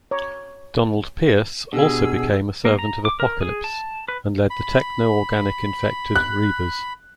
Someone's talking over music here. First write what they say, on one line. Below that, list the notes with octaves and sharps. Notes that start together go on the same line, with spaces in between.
Donald Pierce also became a servant of Apocalypse, and lead the techno-organic-infected Reavers.
C#5 A#5 D6
B2 D4 G4 G#4 E6
A#3
A#5
D6
A#4
G#4
A5
B4
B5
F#6